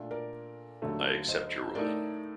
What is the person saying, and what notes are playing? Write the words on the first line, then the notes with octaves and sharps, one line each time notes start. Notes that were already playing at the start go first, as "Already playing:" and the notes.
I accept your ruling.
Already playing: A#2 A3 D4
A#4 D5
D#2 D3 F#3 A3
C5 D#5
A2 A3 D#4 A#4 D5